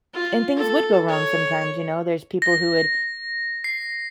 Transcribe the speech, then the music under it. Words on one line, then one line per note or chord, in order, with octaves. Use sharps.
and things would go wrong sometimes, you know, there's people who would
F4
A4
C#5
A#6
C7